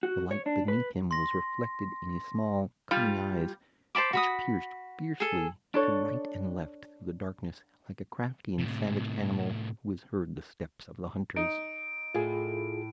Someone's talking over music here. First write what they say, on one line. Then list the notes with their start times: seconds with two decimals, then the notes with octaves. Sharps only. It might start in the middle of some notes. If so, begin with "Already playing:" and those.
The light beneath him was reflected in his small, cunning eyes which peered fiercely to right and left through the darkness like a crafty and savage animal who has heard the steps of the hunters.
0.03 F#4
0.31 C#5
0.46 D4
0.68 B4
1.11 C6 A#6
2.91 G3 F4
3.95 C5 A5 B5 D6
4.13 F#4 B5 D#6
5.20 G#4 A4
5.74 D4 A4 C#5
8.59 A2 C3
11.36 D#4 D7
12.14 A2 F4 G#4